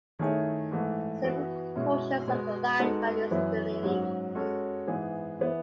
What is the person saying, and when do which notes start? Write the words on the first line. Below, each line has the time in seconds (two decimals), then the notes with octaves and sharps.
Several portions of the line are still in use.
0.19 D#3 A3 E4 G#4 C#5
0.71 G#2 E3 A3
1.23 E3 B3 F#4
1.75 B2 G#3 C#4 E4
2.27 B2 G#3 B3
2.79 G#3 B3 D#4 F#4 A4
3.31 F#2 E3 B3 E4
3.83 G#2 F#3 C#4
4.35 G#3 C#4 F#4 A4 C#5
4.87 G#2 E3 B3 E4 G#4
5.39 E3 B3 E4